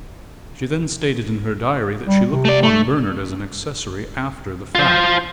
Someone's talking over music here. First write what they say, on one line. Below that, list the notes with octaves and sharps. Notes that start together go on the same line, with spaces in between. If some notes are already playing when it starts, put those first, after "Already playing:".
She then stated in her diary that she looked upon Bernard as an accessory after the fact.
G3
C3
A3 D5
A3
F4 C5